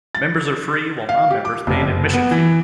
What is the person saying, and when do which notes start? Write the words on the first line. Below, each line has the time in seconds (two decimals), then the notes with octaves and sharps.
Members are free, while non-members pay an admission fee.
0.15 A6
1.09 F5
1.30 G4
1.45 D6
1.67 F1
1.83 F#1
2.13 B3
2.31 E3